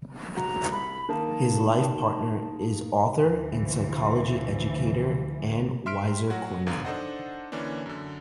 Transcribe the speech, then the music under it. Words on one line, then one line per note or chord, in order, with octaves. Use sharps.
His life partner is author and psychology educator Ann Weiser Cornell.
F#4 A#5
C2 B5
D#3 A#3 D#4 A5
D2 E3 F3
E5 C6 F6 B6 D7
F#3 F#4 F#5
G1 B2 D3 F5 A#5
D4 D#4 A4 C5 D#5 F#5
D3 E3 A#3 C#4 D4
F#2 D3